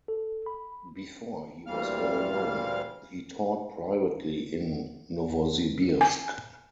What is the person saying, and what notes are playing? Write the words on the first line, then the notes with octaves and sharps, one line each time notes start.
Before he was well-known, he taught privately in Novosibirsk.
A4
B5
D2 A#2 E3 G3 F5 F6
G#5